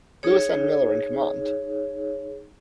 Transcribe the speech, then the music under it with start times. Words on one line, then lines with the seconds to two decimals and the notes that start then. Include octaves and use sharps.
Louis N. Miller in command.
0.23 D#4 G#4 C#5